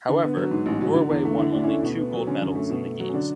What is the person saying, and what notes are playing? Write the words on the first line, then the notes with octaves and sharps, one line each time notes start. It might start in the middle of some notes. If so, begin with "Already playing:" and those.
However, Norway won only two gold medals in the games.
D3
B3
F#3
G#2
A1
F#3
D3
E2
A3
D3 E4
D2 D4
A3 C#4 E4
B2
B3
F#3
D3 C#4
F#2
A3
B2
A3
F#3
C#4
D3 D4